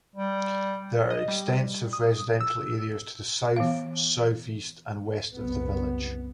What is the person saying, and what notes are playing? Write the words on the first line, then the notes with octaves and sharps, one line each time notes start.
There are extensive residential areas to the south, southeast and west of the village.
G3
D#5
G3
D#6
E6
E3 B3 F5
F#1 C2 B3